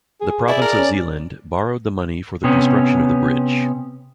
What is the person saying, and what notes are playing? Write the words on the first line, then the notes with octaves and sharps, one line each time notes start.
The province of Zeeland borrowed the money for the construction of the bridge.
G#4
E4 D5
A#4
C#4
C3 B3 C#4